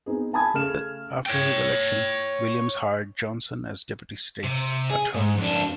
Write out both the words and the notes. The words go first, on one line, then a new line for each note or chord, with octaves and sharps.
After his election, Williams hired Johnson as Deputy State's Attorney.
B3 C4 D#4 G#4
G#5 A5 B5 D#6 G#6
C#3 A3 F6 E7
C#5 G5
C3
G#4
G#2
F2 D4